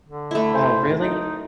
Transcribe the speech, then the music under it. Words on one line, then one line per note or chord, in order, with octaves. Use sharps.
Oh, really?
D3
A3 E4
C5
D#4